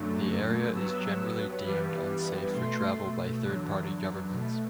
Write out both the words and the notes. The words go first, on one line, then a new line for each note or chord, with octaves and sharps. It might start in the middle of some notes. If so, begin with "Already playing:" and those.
The area is generally deemed unsafe for travel by third party governments.
Already playing: F#2 D3 F#3 A3
G2 F#3 B3 E6
G2 E3 G3 B3
B2 A3 C6
E2 D3 F#3
B2 A3